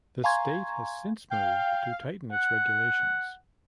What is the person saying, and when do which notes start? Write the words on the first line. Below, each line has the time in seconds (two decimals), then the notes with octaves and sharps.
The state has since moved to tighten its regulations.
0.24 F5 G#5 A#5 C6 C#6 G#6
1.31 F5 G5
2.32 F#5